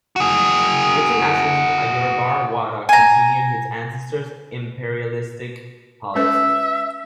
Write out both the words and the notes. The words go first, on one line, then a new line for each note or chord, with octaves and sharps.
Internationally, Ayurbarwada continued his ancestors' imperialistic policies.
F#4 G#4
G#5 A#5
G#3 C#4 B4 E5